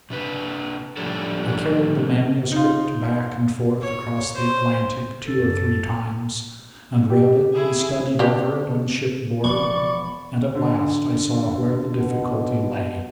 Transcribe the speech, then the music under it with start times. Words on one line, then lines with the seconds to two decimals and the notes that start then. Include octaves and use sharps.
I carried the manuscript back and forth across the Atlantic two or three times, and read it and studied over it on shipboard; and at last I saw where the difficulty lay.
0.10 C3 D4 B4
0.97 A2 F3 G3 D4 A4 C#5
2.52 D#4 F4
3.81 C#5
4.34 C5
5.26 F#2 A4
7.10 G4
7.53 E4 G#4
8.19 D4 G4
9.44 E1 F3 B3 D5 B5 C#6
10.55 D3
11.98 B2